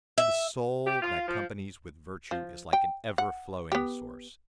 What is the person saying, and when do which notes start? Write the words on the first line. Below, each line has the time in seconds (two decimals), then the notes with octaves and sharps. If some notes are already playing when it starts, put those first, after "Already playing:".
The soul that companies with Virtue is like an ever-flowing source.
0.18 E5
0.86 G4
1.02 F4
1.28 F3
2.31 F3
2.73 G5
3.18 F#5
3.72 B3 G4